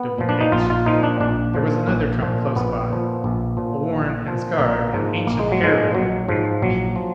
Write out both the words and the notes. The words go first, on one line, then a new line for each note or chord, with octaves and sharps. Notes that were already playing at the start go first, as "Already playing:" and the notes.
W. H." There was another trunk close by--a worn, and scarred, and ancient hair relic, with "B.
Already playing: B3
A#2 F3
D4
D#4
A#1 F4
F4
A#2 F3 D#4
D4
A#1 D4
A#2 F3
A#1
A#2 F3
A#1 B3
A#2 F3
A#1
A#2 F3
A#1
A#2 F3
A#1 A#3
G#2 F3
A#1 A#3
G#3
F#3
G#2 F3 G#3
A#1 F#3
G#2 F3
A#1 F#3
F3